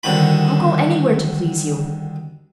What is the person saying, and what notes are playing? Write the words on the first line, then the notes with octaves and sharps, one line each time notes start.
I'll go anywhere to please you.
C2 D3 D#3 F#4 B5